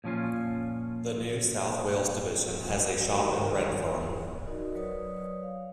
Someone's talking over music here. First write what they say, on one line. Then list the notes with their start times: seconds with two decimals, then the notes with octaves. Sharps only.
The New South Wales Division has a shop in Redfern.
0.04 A#2 F3 C#4 F4
3.14 C3 D#3 F#4 G4 A#4
4.44 D#4 F#4 A#4 D5 D#5
4.75 F#3 B4 C#5 D5 D#6
5.43 F5